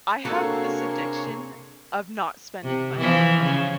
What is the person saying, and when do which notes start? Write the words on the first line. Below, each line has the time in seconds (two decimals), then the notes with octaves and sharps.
I have this addiction of not spending money.
0.25 C3 A#3 D4 F#4 G#4 A4 C#5
2.64 C3
2.97 E3 F3
3.44 C#3